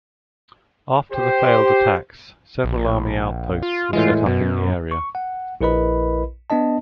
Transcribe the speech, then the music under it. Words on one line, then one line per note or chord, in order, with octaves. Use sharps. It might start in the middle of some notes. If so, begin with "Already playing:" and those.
After the failed attacks, several army outposts were set up in the area.
G4 C5
A#1
F4
A2 E3 G#3 F4
F#2 B2
C#6
F#5
A#1 E4 A#4 B4 D#5 B5
B3 D4 D#5 A5